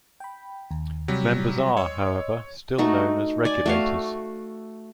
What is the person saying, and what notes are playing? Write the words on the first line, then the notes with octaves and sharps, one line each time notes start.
Members are, however, still known as "Regulators".
G5 B5
D#2
C3 F#3 G3 F#4 B6
C#5 D#5 C6 E6
A3 D#4 F#4
D5 G#5
A3 F#4 F5